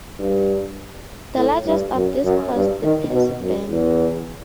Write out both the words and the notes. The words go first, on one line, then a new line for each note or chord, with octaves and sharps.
The largest of these crossed the Percy Burn.
G2
A2
G2
F#2
F#2
G2
D#3
B2
F#2
E2